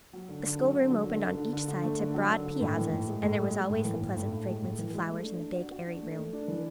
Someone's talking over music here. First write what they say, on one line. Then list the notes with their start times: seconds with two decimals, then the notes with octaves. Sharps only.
The schoolroom opened on each side to broad piazzas, and there was always the pleasant fragrance of flowers in the big airy room.
0.13 F#3
0.29 D3
0.44 D3
0.59 F#3
0.75 D3
0.90 F#3
1.06 D3
1.22 D3
1.37 D3
1.53 D3
1.68 D3
1.83 A3
1.99 D3
2.14 F#3
2.30 D3
2.46 D3
2.61 A2
2.76 E3
2.92 A2
3.08 G#3
3.23 A2
3.39 G#3
3.54 G#3
3.69 A2
3.84 E3
4.01 A2
4.16 A2
4.32 A2
4.46 G#3
4.62 A2
4.79 E3
4.94 G#3
5.08 A3
5.25 D4
5.40 D4
5.56 F#4
5.72 F#4
5.87 D4
6.02 A3
6.18 A3
6.33 D4
6.48 E3